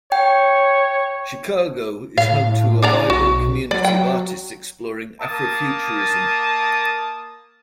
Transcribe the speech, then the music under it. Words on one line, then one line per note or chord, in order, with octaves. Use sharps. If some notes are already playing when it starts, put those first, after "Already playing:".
Chicago is home to a vibrant community of artists exploring Afrofuturism.
C#5 G5
A2 F5
D4 D5 A#5
B1 F#4
F#3 D5
G5
A#3 A5 D#6